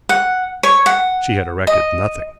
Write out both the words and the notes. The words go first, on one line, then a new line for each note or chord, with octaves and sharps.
She had erected nothing.
F#5
C#5
F#5
D#5